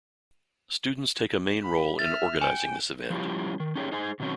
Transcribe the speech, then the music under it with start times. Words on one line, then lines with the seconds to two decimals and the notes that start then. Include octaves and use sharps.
Students take a main role in organizing this event.
1.63 B5
1.99 E5 F6 A6
2.42 G5 G#5
3.10 F3 G3 C#4 E4 F4 G4
3.60 D#3
3.75 C#4 D#4 G4 G#4 B4 C#5
3.92 D#4 G#4 C5 G#5
4.20 B2 D#3 F#3 C4 C#4 F#4